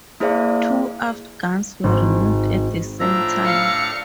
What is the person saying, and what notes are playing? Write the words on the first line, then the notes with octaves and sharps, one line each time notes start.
Two aft guns were removed at the same time.
A#3 E4 G#4 C5 D5 F5
G#1
A2 F3 D4 A#5 E6
F5 C#7